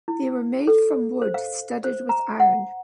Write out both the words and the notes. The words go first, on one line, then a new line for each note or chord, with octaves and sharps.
They were made from wood studded with iron.
E4
A4
C5
F5
C5
A#5
F#5